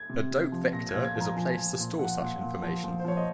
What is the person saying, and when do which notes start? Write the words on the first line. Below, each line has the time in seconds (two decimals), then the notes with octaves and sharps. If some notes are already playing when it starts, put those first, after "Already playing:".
A dope vector is a place to store such information.
Already playing: G#6
0.10 C3
0.31 C3
0.52 F3
0.73 A#2 A#6
0.89 G#6
0.94 A#2
1.05 G#6
1.15 F3
1.21 A#5
1.36 F3 G#5
1.57 F3
1.78 A#2
1.99 F3 F#5
2.20 A#2
2.42 A#2
2.63 F3
2.84 F3
2.99 C5
3.05 F3 C#5
3.17 D#5